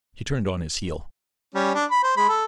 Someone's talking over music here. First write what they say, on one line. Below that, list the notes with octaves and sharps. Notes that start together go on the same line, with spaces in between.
He turned on his heel.
G3 C#4
D4
B5
C5
G#3 B5
A4